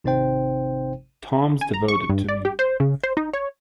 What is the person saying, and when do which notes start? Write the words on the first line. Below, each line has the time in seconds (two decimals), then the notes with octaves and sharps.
Tom's devoted to me.
0.04 G#1 C3 C4 D#4 C5 G5
1.61 G#5
1.74 A#5
1.88 C#6
2.09 G2
2.29 D5
2.45 G4
2.59 C5
2.80 C#3
3.03 C5
3.17 D#4
3.33 C#5